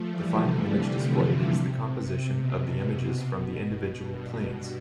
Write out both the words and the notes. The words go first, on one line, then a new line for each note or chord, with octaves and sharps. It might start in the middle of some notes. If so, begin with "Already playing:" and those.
The final image displayed is the composition of the images from the individual planes.
Already playing: F3 A3
E3 G3
D3
C3
B2
G2